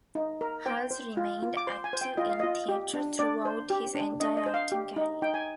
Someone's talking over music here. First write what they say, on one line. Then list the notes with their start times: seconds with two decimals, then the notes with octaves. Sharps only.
Hulce remained active in theater throughout his entire acting career.
0.15 D#4
0.41 A#4
0.66 C5 G5
0.91 C5
1.17 F4
1.43 F4
1.57 D6
1.67 C5 C6
1.84 G#5
1.93 C5
2.01 G5
2.17 F4 D#5
2.30 F5
2.40 F4 D#5
2.69 G4
2.94 D4
3.19 D4 D5
3.45 C5
3.70 G4
3.95 D4
4.20 D4 D#5
4.37 D#5
4.46 C5
4.54 F5
4.72 G4
4.96 D#4
5.22 D#4 G5
5.34 G#5